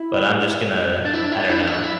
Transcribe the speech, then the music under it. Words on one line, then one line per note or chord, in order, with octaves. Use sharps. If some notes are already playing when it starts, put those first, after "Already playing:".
but I'm just gonna, I don't know
Already playing: E4
D4
E4
D4
E4
D4
E4
D4
E4
D4
E4